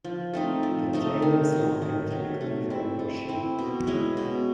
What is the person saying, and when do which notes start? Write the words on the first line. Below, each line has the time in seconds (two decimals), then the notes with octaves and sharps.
The tail is long and typically very bushy.
0.05 F3
0.34 A3 C4 D#4
0.63 F3
0.93 A3 C4 D#4
1.22 D#3
1.52 F#3 A3
1.82 D#3
2.11 F#3 A3
2.41 A3
2.70 C4 E4
2.99 A3
3.29 C4 E4
3.59 B2
3.87 G#3 C#4 E4
4.17 B2